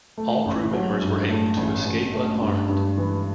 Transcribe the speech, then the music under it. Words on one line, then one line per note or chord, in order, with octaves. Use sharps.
All crewmembers were able to escape unharmed.
A3
A1
F#3
G2
A3
A1
A1
A3
G2
G2
E3